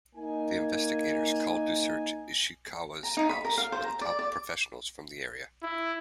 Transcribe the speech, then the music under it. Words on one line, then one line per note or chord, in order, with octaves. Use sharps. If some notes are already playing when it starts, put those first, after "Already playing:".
The investigators called to search Ishikawa's house were the top professionals from the area.
A#3 D#4 G#5
A#5
D#4
B5
A#4
F5
C5
A#5
D5
D5
E4